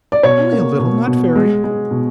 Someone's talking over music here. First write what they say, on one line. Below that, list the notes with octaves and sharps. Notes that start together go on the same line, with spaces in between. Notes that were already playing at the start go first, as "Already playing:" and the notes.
"Only a little--not very."
D5
B2 C#5
A#3
B2
B2
G#3
G#3
B2